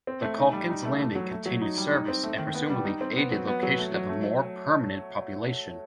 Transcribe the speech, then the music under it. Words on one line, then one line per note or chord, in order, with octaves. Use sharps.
The Calkins Landing continued service and presumedly aided location of a more permanent population.
C4
A3
D#4
G3
D#4
A3
A3
F#3
A3
F#3
D#4
G3
D#4
C4
A3
D#3
B3
G3
D#4
C4
B3
F#3
B3
F#3
A3
F#3
A3